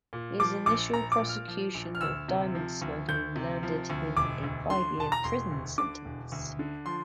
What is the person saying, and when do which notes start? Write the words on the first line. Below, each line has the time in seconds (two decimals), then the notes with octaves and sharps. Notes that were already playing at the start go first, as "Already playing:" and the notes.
His initial prosecution of diamond smuggling landed him a five-year prison sentence.
0.13 A#2
0.40 F3 D6
0.66 A#1 D6
0.93 A#1 A#5
1.12 D6
1.20 A#2
1.29 F6
1.48 F3
1.75 A#1
1.95 F6
2.01 D2 E6
2.28 C3
2.55 F3
2.81 D2
3.09 D2 G6
3.36 C3
3.63 F3
3.90 D2
4.17 E1 D6
4.43 D2
4.70 D3 C6
4.98 E1 A5
5.12 A#5
5.24 E1 C6
5.51 D2
5.78 D3 D6
6.05 E1
6.32 D2
6.59 D3
6.86 F3 C6